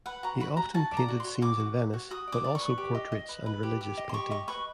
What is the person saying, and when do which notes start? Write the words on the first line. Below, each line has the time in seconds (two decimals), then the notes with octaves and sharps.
He often painted scenes in Venice, but also portraits and religious paintings.
0.06 B4 F#5
0.23 F#4 A#5
0.40 F#4 B5
0.56 F#4 A#5
0.74 F#4 A5
0.91 D5
0.97 A#5
1.08 F#4
1.20 F#4 C6
1.42 F#4 D6
1.60 F#4
1.76 F#4
1.93 F#4
2.11 F#4 D#6
2.28 D5 D6
2.44 D5
2.55 C#6
2.62 B4
2.78 G4
2.95 D#5
3.12 D#5
3.29 B4
3.46 B4
3.63 G4
3.81 G4
3.97 D#5
4.09 C6
4.14 G4 C#6
4.31 D#5 C#6
4.48 B4 C#6